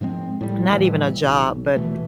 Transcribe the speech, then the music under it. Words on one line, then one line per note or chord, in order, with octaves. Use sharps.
not even a job, but,
G#2 F3 G#3 C4
A2 G3
D1 A2 E3 G3
B1
D#1 B2 E3 A3